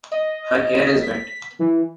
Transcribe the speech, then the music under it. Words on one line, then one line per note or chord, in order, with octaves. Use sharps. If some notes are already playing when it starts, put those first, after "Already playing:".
Her hair is wet.
D#5
B6
E3